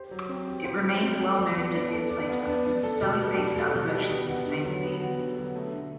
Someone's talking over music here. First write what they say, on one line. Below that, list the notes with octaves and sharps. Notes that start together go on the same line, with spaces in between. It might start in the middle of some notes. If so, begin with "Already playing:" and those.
It remained well-known decades later, and Fuseli painted other versions on the same theme.
Already playing: G4 C5
F#3
C4
G4
C5
F#3
C4
A4
D5
B3
D4
A4
D5
B3
D4
D4
A4
B2
G3
D4
A4
B2
G3
B3
F#4
D3
F#3
B3
F#4
D3
F#3
A3
D3